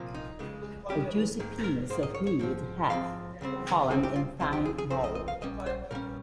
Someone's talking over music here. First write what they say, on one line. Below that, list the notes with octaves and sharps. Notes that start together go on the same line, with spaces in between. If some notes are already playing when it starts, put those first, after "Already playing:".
A juicy piece of meat hath fallen in thine bowl!
Already playing: C2 A#2 F3 A#3
D#4
C#2 C#3 G#3
C#2 C#3 G#3 G4
G#2 D#3 A#3 G#4
A#4
G#2 D#3 A#3 C5
D#5
C#5
C#5
G#2 F3 C4
G#2 F3 C4 F5
C#2 C#3 G3 C4
C#2 C#3 G3 C4 G#4
G4
F4
F2 C#3 F3 C4 F4
G4
G#4
G#4
F2 C#3 F3 C4 C5
D#5
D#5
F5
A#2 G3 C#4 D#5
C5
A#2 G3 C#4 A#4